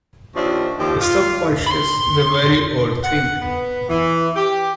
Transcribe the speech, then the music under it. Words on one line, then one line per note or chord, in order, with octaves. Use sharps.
The subconscious is a very odd thing.
D#2 F3 C#4 D4 C5 E5
D#2 F3 G4
F4
B5 C6
F#5
B3
E3
G4